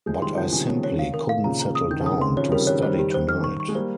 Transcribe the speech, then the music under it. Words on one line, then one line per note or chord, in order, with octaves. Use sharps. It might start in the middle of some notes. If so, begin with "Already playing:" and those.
But I simply couldn’t settle down to study tonight.
F3 G#3 G6
D#3 G3 C6
C#3 F3 G6
C3 D#3 G#5
C#5
C#5
F5
A#4
F5
A#2 C#3 A#5
A#5
D#6
D#3 G6
C#3
C3 D#3 D#6
C6
C#3 F3 C#5
D#3 G3 A#4
D#3 G3 C#5
D#3 G3 C5
G4
C5
F6
C#6
C#6
G#3
G3 A#3 C5